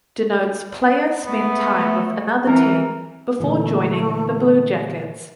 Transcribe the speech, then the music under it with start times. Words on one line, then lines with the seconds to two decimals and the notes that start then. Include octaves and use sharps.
Denotes player spent time with another team before joining the Blue Jackets.
1.25 A3 B3
2.47 E3 C4 A#4
3.40 A#2 D3 E3 A3